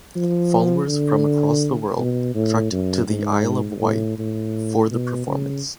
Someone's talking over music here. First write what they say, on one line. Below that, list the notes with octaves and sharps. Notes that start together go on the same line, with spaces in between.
Followers from across the world trekked to the Isle of Wight for the performance.
F3
D3
B2
A2
F#2
G#2
A2
A2
B2
C#3